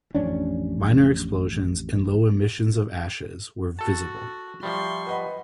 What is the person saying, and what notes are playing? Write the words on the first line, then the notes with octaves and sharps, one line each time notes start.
Minor explosions and low emissions of ashes were visible.
A1 F2 C#4 D4
F#4 A4 A5
F3 G3 E5 C6 C#6
B4 D#5 F#5 B5